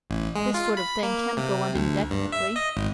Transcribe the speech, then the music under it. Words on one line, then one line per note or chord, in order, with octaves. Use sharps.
This sort of thing can't go on indefinitely.
A1
G#3
F4
B5
A#3
C3
D2
G2
E5
D#5
G#1